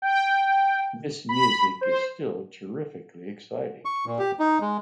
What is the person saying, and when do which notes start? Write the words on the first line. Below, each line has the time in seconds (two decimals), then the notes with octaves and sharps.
This music is still terrifically exciting.
0.02 G5
1.29 B5
1.81 C5
3.85 C#6
4.06 A#2
4.19 G4
4.39 D#4
4.61 G#3